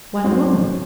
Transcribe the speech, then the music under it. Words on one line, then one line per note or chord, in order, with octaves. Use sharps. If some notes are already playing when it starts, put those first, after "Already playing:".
One woman.
G#2 F#3 C4 C#4 F#4 C5
A3